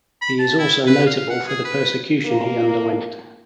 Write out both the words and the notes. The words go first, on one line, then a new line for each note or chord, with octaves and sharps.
He is also notable for the persecution he underwent.
B5
A5
E4
B4
F5
F#5
G#4
B4
F2 A#3